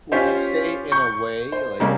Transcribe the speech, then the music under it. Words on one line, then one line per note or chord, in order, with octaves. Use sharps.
Would you say in a way like,
C#4 F4 G4 C5
C#6 G6
C5
C3 G3 G#3 A#3 C#4